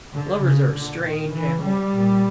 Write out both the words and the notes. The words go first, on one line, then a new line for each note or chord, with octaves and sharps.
Lovers are a strange animal.
D3
C#3
A#2 D3
D#3
E3
G3
A#2